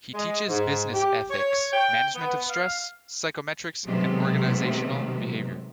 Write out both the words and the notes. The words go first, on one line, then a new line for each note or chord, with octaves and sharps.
He teaches Business Ethics, Management of stress, Psychometrics and Organisational behaviour.
G#3
G#2
G4
C#5
G5
B3
F5
C3 D#3 F#3 G#3 A3 B3